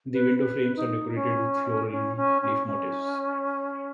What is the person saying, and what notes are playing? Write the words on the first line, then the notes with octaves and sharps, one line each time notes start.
The window frames are decorated with floral and leaf motifs.
B4
B4
D#4
C#4
C#4
C#4
C#4
C#4